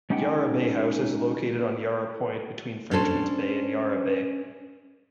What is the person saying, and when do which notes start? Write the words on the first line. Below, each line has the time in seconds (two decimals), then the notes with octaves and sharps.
Yarra Bay House is located on Yarra Point, between Frenchmans Bay and Yarra Bay.
0.10 G#3 C#4 D#4 G4 F#5 G5
2.91 C#4 D4 A4 C5